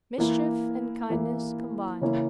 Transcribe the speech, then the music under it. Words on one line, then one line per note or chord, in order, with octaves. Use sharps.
Mischief and kindness combined.
E3 A#3 E4
E3 A#3 E4
C#3 E3 A#3 C#4 E4